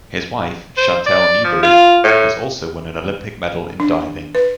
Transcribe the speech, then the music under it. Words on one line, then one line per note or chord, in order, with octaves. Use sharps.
His wife, Chantelle Newbery, has also won an Olympic medal in diving.
C5
D5
F3
F4
A2
D4
B4